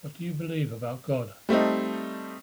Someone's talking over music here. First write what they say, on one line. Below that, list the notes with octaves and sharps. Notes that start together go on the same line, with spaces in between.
What do you believe about God?
G3 A3 C4 D#4